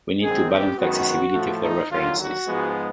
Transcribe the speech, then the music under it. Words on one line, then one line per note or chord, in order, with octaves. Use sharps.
We need to balance the accessibility of the references.
F#2 D#3 G#3 C4 G#4
G4
F#2 D#3 G#3 B3 F#4
A2 F3 A3
D#4
D#2 D3 F#3 F4
F#4
G#2 F3 G#3 B3